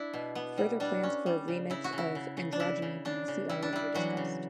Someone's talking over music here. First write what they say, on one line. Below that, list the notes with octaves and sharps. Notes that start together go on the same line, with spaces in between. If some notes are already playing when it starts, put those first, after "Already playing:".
Further plans for a remix of "Androgyny" by Missy Elliott were discussed.
Already playing: D4 E4
B2
B3
G3
G3 D4
C#4
G3
C#3
C#3 E4
F#4
C#3
E4
C#3
C#3
D4
C#3 E4
C#3
C#3 D4
C#3
G3 E4
D4
G3 E4
E3 F#3 F#4
C#3